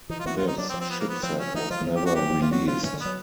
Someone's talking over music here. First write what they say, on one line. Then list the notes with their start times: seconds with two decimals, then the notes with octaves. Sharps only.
This chipset was never released.
0.10 E3 D#4
0.20 F4
0.26 E3 F#4
0.37 F4
0.43 F3 D#4
0.58 F#3 D4
0.69 C4
0.74 F3
0.80 C4
0.90 B3
0.99 A#3
1.09 B3
1.22 F3 C4
1.39 C#4
1.54 E3 D#4
1.70 F3 F4
1.81 E3
1.86 F3
1.96 G4
2.03 F3 F#4
2.15 F#3 G4
2.30 F3
2.41 E3 F4
2.51 F#3 F#4
2.67 F3 F4
2.83 E3 C#4
2.94 D3
3.00 B3
3.05 F#3